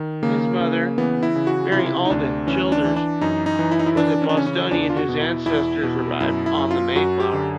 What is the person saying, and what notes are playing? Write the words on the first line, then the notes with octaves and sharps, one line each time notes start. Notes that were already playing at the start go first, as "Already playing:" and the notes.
His mother, Mary Alden Childers was a Bostonian whose ancestors arrived on the "Mayflower".
Already playing: D#3
C#3 A#3
C#3
E3 B3
E4
C#3
F#4
C3 E4
F4
E4
D#4
D2 D4
E3 C#4
D4
E3
D4
F#2 D#4
D#4
E3
E4
D#4
E4
E3 D4
C#4
D4
C#3 C#4
C#4
E2 D4
F4
F#4
B2
E4
E2 E4
B2
F#2 E4
E4
F#2
F4
F#2 F#4
G4
D3